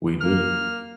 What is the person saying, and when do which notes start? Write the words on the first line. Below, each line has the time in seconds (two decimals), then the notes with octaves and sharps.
We do.
0.21 A#3 F6